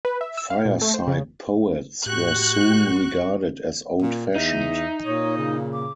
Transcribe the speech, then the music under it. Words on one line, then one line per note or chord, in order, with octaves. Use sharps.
Fireside Poets were soon regarded as old-fashioned.
B4
E5
E6
F5
A#2
A3
C5
C#3
A2 F#4 G4 C#6 F#6 G6
A#2
E2 D#4 E5
A#2 C#5 D#6
C#3
D6